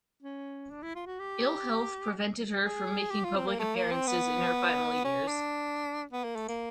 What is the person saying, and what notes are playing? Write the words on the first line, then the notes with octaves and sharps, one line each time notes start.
Ill health prevented her from making public appearances in her final years.
C#4
D4
E4
F4
F#4
G4
G#4
G4
F4
C4
A#3
A3
A#3
C4
B3
C#4
D4
B3
A#3
A3
A#3